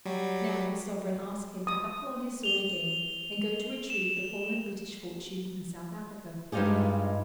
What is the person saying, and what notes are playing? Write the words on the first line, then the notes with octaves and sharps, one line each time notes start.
Now his sovereign asked him to buckle on his sword again, and go to retrieve the fallen British fortunes in South Africa.
F#3 G3
D#6
F7 G7
E7
G2 G#3 D#4 F4 G4 G#4